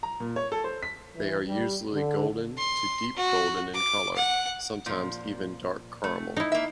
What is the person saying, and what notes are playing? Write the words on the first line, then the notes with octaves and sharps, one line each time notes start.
They are usually golden to deep golden in colour, sometimes even dark caramel.
A#5
A#2
C#5
A4
C5
B6
E3
G3
D3
C6
F#4
D6
F#5
A#2 F3
A3
D#4 E4
A#3 E5